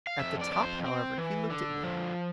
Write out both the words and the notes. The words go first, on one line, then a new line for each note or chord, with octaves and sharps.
At the top, however, he looked at me.
F5
F2 E5
D5
F2 D5
C5
C4
E3
D3
F3